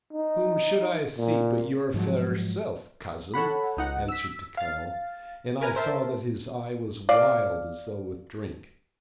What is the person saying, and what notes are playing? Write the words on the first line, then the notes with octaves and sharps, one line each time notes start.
"Whom should I seek but your fair self, cousin?" answered Tikal--and I saw that his eye was wild, as though with drink.
D#4
A#2
G#2 F3 F#3
A4 C#5 F#5 B5
C#2 D#4 F#5
E6 B6
F5 A6
A#4 B4 G#5 A#5
A#4 C5 E5 A5
D5 F5